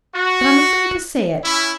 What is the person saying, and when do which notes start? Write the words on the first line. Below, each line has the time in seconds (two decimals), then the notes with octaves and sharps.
But I'm afraid to say it.
0.15 F#4
1.45 C#4 E4